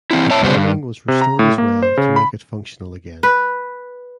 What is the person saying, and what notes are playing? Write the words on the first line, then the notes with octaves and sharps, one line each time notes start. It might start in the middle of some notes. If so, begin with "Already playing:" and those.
The plumbing was restored as well to make it functional again.
E3 C4 E4
C4 C#5 E5 A5
G2 B2 G3 B3 F#4 C5
G2
C3
A#5
A2
A#3
C5
C#3
B5
B4